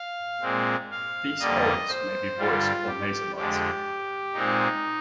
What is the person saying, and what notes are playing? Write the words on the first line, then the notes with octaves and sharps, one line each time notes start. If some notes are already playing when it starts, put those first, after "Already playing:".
These holds may be voiced or nasalized.
Already playing: F5
A#2 G#3 C4
F5
F2 D3 G3 A#3 D#5
C5
G2 D3 G3 F4
G4
F2 D3 G#3 G4
A#2 G#3 C4 D#4